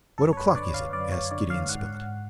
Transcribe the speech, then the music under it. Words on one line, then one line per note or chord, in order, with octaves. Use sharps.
"What o'clock is it?" asked Gideon Spilett.
F#2 A4
C#5
B4
D3 D5
F5
F#2 D5
C#5
D3 D5
F5
G#2 F#5